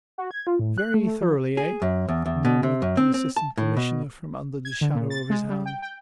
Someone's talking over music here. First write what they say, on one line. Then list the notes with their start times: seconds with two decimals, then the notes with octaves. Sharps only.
"Very thoroughly--eh?" murmured the Assistant Commissioner from under the shadow of his hand.
0.18 F#4
0.31 G#6
0.47 F4
0.59 A2
0.78 F#6
0.94 A3
1.06 A3
1.21 F3
1.57 G#4
1.82 F#2
2.09 E2
2.26 E2
2.45 B2
2.63 C3
2.82 F#2
2.97 C4
3.14 C4
3.36 A5
3.58 A2
3.77 B2
4.65 G#6
4.81 D3
4.95 A#2
5.10 A6
5.30 G#3
5.49 G3
5.66 G5
5.82 G5